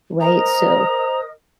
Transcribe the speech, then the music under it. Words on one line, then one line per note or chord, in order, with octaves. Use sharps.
right, so
A#4 C5 D#5 A#5 D#6